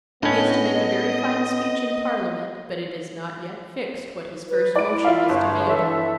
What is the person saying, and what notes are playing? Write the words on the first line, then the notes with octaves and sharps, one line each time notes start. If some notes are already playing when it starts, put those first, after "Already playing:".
He is to make a very fine Speech in Parliament, but it is not yet Fixed what his First Motion is to be upon.
A2 B3 C#4 D4 D#5
B4
E4 D5 D7
F4 E5 F5
G1 C#5
E3 A4 E5